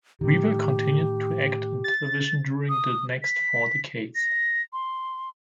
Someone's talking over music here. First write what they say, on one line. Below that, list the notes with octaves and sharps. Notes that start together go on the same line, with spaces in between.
Weaver continued to act in television during the next four decades.
A2 D#3 G4
A6
D#6
B6
A#6
C6